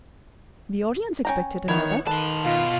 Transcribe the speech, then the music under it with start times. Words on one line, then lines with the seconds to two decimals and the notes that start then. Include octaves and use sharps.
The audience expected another.
1.25 C#4 G5 A#5
1.68 D#3 B3 E4 C#5
2.07 D#3 A4 B4 A5 C6
2.45 B2 F4